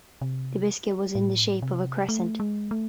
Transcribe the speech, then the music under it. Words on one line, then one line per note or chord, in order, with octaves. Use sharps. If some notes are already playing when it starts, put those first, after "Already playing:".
The biscuit was in the shape of a crescent.
C3
A2
C3
A3
G#3
A3